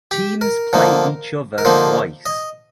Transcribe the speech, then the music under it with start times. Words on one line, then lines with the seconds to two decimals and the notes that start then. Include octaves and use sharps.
Teams play each other twice.
0.11 G4
0.41 A#4
0.73 D3 F3 A#3 D#4
1.58 A#4
1.65 D3 F3 A#3 D#4 C5
2.26 D#5